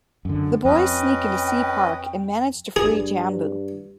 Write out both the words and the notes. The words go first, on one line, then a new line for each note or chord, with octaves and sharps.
The boys sneak into Sea Park and manage to free Jambu.
F#2 D3
F2 C#4 B4 D#5 G5
G2 G#4